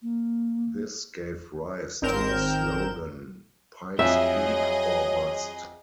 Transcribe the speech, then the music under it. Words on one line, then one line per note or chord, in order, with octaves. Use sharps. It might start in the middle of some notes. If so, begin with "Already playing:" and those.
This gave rise to the slogan, Pike's Peak or Bust.
A#3
G#1 C4 A#4 G6 E7
F2 F#3 G#4 D#5 E5